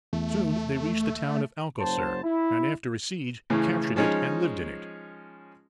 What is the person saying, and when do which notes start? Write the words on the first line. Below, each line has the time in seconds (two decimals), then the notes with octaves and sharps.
Soon they reached the town of Alcocer, and after a siege captured it and lived in it.
0.13 E2 A3
1.80 F#1 F#3 C5 A5
2.23 E4
3.50 A2 C#3 E3
3.96 F3 G#3 C#4 D#4